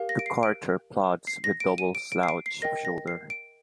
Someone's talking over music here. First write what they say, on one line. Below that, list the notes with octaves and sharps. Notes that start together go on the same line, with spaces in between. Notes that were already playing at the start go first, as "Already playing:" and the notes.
The carter plods with double slouch of shoulder.
Already playing: G4 A#4 F5
A#6
D7
C7
D7
C7
A#6
D7
D#7
D7
D7
C7
D7
C7
A#4 D#5 G5 A#6
A#6
C7
D7